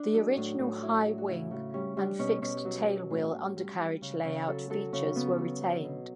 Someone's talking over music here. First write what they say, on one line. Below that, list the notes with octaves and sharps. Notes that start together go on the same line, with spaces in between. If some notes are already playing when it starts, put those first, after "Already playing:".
The original high-wing and fixed tailwheel undercarriage layout features were retained.
Already playing: D4
F#3
A2
A2
D4
F#3 E4
F#3
F#4
C#3 E4
C#3
G3 C#4
G3 D4
B2 C#4
B2 C#4
F#3
F#3
A2
A2
G3
G3
C#3
C#3
F#3 A4
F#3 A4
C#3 C#4
C#3 B3
F#3
F#3
B2